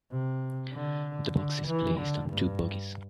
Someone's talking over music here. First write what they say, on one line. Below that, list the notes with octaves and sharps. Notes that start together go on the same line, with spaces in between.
The box is placed on two bogies.
C3
D3
D3
E3
D3
G2